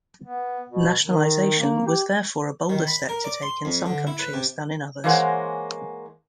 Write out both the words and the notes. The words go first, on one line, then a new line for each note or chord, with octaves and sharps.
Nationalization was therefore a bolder step to take in some countries than in others.
B3
B2
D#3
A#3
G4
D#3
B5
A#4
D5
C6
F2
D3
E4
B4
C3
E3 G#3 A#3 C5 C#5 F#5